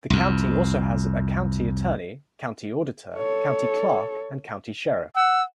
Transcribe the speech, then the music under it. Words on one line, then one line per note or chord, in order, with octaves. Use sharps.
The county also has a County Attorney, County Auditor, County Clerk, and County Sheriff.
C2 F2
A4 C#5
F#5 E6